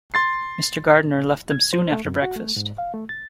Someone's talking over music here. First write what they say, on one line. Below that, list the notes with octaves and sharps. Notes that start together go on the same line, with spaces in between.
Mr. Gardiner left them soon after breakfast.
C6 A6 C7
G#6
C5
A3
F#2
F#4
A3
G#2
F5
A3
A6